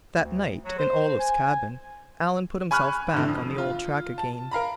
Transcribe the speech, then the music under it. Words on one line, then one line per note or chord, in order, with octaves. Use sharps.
That night, in Olaf's cabin, Alan put himself back on the old track again.
D2
F#3
C5
G#5
G#5 B5 C#6 F6 F#6
A2 D3
F2
F4
A5
A#4 F5 A#5 B5